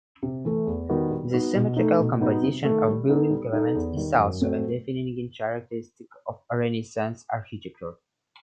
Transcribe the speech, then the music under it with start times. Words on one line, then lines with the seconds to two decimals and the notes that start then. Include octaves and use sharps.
The symmetrical composition of building elements is also a defining characteristic of Renaissance architecture.
0.23 C3
0.45 E3 A3
0.67 E2
0.89 D#3 G3 B3 F#4
1.11 G3
1.33 B3 D#4 F#4
1.55 B2
1.77 A3 D#4
1.99 B2
2.21 G3 B3 D#4 F#4
2.43 C3
2.64 A3
2.70 D#3
2.87 G3
3.09 B3 D#4 A4
3.31 G3
3.53 D#4 A4
3.75 E2
3.97 D#3 G3
4.18 F#2
4.41 F#3 A3 C4